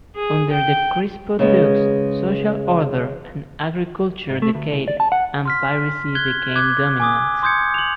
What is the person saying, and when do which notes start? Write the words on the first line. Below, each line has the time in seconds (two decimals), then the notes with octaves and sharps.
Under the Crispo dukes, social order and agriculture decayed, and piracy became dominant.
0.16 G#4
0.52 G5
1.39 C#3 G#3 B3
4.30 G#2
4.42 A3
4.55 D2
4.71 C2
4.88 D5
5.00 A5
5.12 F#5
5.45 C6 F6 B6
6.15 F#6 G#6 G7
6.56 D6 F#6 G#6
7.00 G#5 D6 D#6
7.43 C6 D#6 G6 G#6 C#7
7.74 F7 F#7